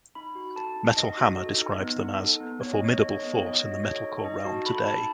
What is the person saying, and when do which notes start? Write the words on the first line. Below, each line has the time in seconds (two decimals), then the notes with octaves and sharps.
Metal Hammer described them as "a formidable force in the metalcore realm today".
0.15 D#4 B5
0.35 F#4
0.56 A4 A5
0.76 D#4
0.96 D#4 D#5
1.17 F#4
1.38 A4
1.58 D#4
1.79 B3
2.00 D#4
2.20 A4
2.40 B3
2.61 B3 C#5
2.73 D#5
2.82 D#4 C#5
2.98 A4 D#5
3.11 C#5
3.23 B3 D#5
3.35 C#5
3.42 D#4 D#5
3.60 F#4 C#5
3.71 D#5
3.84 A4 C#5
4.03 D#4
4.24 D#4 D#5
4.45 F#4 A5
4.66 A4 B5
4.86 D#4 A5